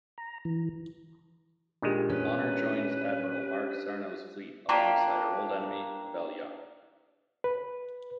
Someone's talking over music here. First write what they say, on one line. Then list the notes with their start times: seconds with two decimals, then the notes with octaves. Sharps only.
Honor joins Admiral Mark Sarnow's fleet alongside her old enemy, Pavel Young.
0.18 A#5
0.45 E3
1.82 A#2 D#3 G#3 D4 G4
2.10 C#4 B4
4.69 A#3 D4 F4 G4
7.44 B4